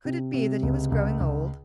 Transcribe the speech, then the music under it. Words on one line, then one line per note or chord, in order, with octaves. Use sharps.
Could it be that he was growing old?
C3
C3
C#2
C#2
C#2